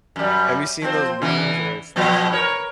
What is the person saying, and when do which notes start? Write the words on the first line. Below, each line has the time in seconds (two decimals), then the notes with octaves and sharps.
Have you seen those meme's where it's, like, uh
0.16 F#2 G3
0.82 F3 C4 C5
1.22 C#3 E3 B3
1.96 B2 F3 B3
2.32 A#4 C#5